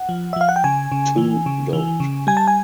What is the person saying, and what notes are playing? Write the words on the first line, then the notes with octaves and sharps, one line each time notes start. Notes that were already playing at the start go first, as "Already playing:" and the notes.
Two don’t.
Already playing: F#5
F3
E5
F3 F5
F#5
G5
C#3 G#5
C#3
E3
C#3
E3
C#3
G3 G#5
A5
G#5